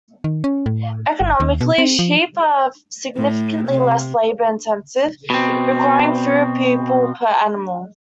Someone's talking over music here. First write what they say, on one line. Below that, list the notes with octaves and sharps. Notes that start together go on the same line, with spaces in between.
Economically, sheep are significantly less labour-intensive, requiring fewer people per animal.
D#3
C#4
A2
G1
D#2
B2
C4
F3
A2
C3
B2 C4